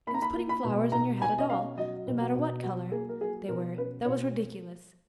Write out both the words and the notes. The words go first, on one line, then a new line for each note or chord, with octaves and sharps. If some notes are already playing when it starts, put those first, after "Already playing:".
It was putting flowers on your hat at all, no matter what color they were, that was ridiculous.
A#3 B5
A#5
B5
A#3
B5
B2
B2 A#5
B2 G#5
D#5
C#4 F5
F#3 D#5
B2
F#4
B2
F#3 F#4
A#3 G#4
A#4
F#3 G#4
B2 A#4
C#4 B4
B2 C#5